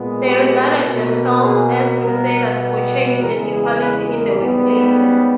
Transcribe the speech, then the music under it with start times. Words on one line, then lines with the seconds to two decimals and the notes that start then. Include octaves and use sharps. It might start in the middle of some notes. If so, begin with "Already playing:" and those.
They regarded themselves as crusaders for change and equality in the workplace.
Already playing: A#2 G#3 B3
0.24 G4
0.84 B2 A#3
1.43 G#4
2.02 B2 G3 B3 A#4
3.21 E2 C#3 E3 G#3 A#4
3.51 G#4
3.80 B4
4.10 A#4
4.40 G#2 G3 B3
4.99 C#4